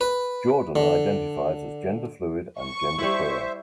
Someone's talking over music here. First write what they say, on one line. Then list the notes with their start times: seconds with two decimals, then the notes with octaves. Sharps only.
Jordan identifies as genderfluid and genderqueer.
0.01 B4
0.76 D3
2.59 C#6
2.98 G3 E4 C5 E5